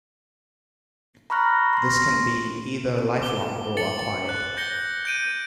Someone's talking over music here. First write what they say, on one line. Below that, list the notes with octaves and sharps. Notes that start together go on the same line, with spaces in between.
This can be either lifelong or acquired.
A#5 B5 C#6 F6 F#6 A#6
C6 A#6
D6 G7
A6 C#7 F#7
F#6
G6 A#6 C#7 G7
G6 D7 D#7